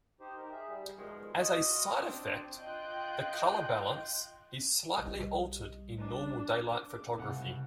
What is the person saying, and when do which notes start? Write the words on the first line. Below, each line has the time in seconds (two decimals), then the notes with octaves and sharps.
As a side effect, the color balance is slightly altered in normal daylight photography.
0.20 D#4 G4 C5
0.37 A#4
0.52 G#4 E5
0.69 G3
0.97 F#2 B2 D#3 F3 G#3
1.37 F4 F#4 D#5
2.09 C4 D4
2.57 F4 D#5 G5 F#6 G6
4.98 B1 G3 D#5
5.99 D4
6.90 D6
7.18 C2 C#3 F#5